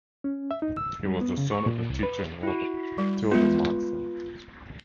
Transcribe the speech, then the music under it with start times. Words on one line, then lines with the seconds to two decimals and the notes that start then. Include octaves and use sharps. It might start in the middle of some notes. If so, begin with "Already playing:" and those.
He was the son of the teacher and author Theodor Madsen.
0.24 C#4
0.51 E5
0.62 D#4
0.77 E6
1.06 G3
1.21 B3
1.38 C#3
1.52 C#6
1.66 A#2
1.90 C2
2.03 B4
2.43 E4 F#4
2.98 G3
3.31 G#3 B3 F4 B4